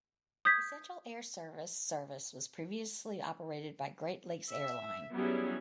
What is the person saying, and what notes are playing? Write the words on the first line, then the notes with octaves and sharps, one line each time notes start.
Essential Air Service service was previously operated by Great Lakes Airlines.
D#6 G6 G#6 B6
E5
F#3 G3 B3 C#4 E4 G#4